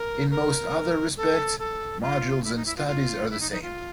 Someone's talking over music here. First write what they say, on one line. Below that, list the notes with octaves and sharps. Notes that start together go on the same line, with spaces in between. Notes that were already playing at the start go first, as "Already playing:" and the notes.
In most other respects, Modules and Studies are the same.
Already playing: A#4
A#4
A4
A4
F4
E4
D#4
E4
F4
F4
E4
D#4
D#4
F4